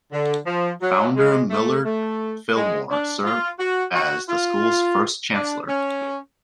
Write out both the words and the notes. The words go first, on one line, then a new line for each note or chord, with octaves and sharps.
Founder Millard Fillmore served as the school's first chancellor.
D3
F3
F#3
G#3
A3
A3
G#3
D4
F4
F#4
F#4
F4
D4
C#4